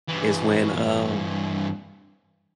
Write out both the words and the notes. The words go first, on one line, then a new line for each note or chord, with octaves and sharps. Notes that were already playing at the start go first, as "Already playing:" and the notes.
is when, um
G2 E3